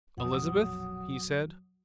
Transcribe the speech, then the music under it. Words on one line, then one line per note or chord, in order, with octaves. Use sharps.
"Elizabeth?" he said.
A#1 F2 B2 F#3 F#5 D#6